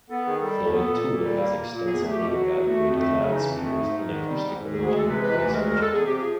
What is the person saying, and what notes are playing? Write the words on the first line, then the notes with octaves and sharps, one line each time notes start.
Floyd Toole has extensively evaluated loudspeakers in acoustical engineering research.
B3 A4
D#3 G#4
G3 A4
D#2
B3
A#2
A#2
G3
A#3
A#2
A#2
E2 G#4
A3
G4
B2
F#3 F#4
E2
A3
F2
A3
C#3
E3 D#4
F2
D4
A3
G#2 D#4
G#2
D#3
G3
G#2
G#2
D2 G#4
G#4
G#3
A4
C3 B4
E3 B4
D2 B4
G#3 A#4
E2 A#4
A4
E2
G#4
C3
G4
F3 G#4